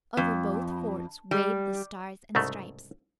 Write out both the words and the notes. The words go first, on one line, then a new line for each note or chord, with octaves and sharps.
Over both forts waved the Stars and Stripes.
F2
G3
C2 G#2 C#3 A3